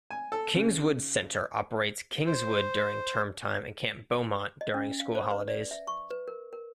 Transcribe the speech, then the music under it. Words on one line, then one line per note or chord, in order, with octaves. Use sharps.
Kingswood Centre operates Kingswood during term-time and Camp Beaumont during school holidays.
G#5
A4
C#3
C5
D#5
C#4
F5
C5
B4
D5
E5
C#6
B4
A#4
A#4